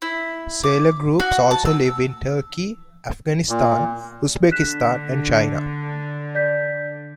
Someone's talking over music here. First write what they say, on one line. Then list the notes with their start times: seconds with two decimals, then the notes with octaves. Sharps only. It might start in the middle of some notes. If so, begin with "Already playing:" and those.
Salor groups also live in Turkey, Afghanistan, Uzbekistan, and China.
0.02 E4
0.63 D6
1.20 F#4
1.51 A5
1.65 E6
3.49 A#2
4.51 D3 F#6 B6 E7
6.35 D5 G6 B6